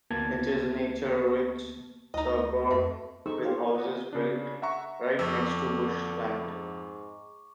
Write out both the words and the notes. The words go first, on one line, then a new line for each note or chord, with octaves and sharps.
It is a nature-rich suburb with houses built right next to bushland.
D2 A#3 B3 A5 G#6
D2 D#4 D#5
F2 A3
D#4 G#4 A4 C5 C#6 E6
F4 G4 C#5 F5
G#5
B4 D5 D#5 F#5
C#3 D4
E5 F#5 A#5 C#6
F2 D3 C#6 D6 E6
G#2